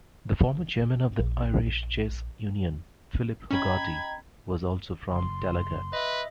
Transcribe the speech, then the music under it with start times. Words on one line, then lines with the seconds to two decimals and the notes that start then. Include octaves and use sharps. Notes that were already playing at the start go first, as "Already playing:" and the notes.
The former Chairman of the Irish Chess Union, Philip Hogarty, was also from Tallaght.
1.19 A#1
3.51 C#4 D#5 G5 A#5 B5 G#6
5.12 F#1 C6
5.93 B4 D#5 E5